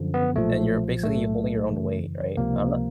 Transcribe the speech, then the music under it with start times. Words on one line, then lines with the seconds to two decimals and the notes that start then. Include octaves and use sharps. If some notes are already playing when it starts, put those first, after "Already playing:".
and you're basically holding your own weight, right? I'm not
Already playing: F#2 D3 F3
0.14 B3
0.36 B1 A#2 F3 A3
1.03 B1 A2 F#3 A3
1.70 F#2 C#3 E3
2.37 C#2 C3 F3 A#3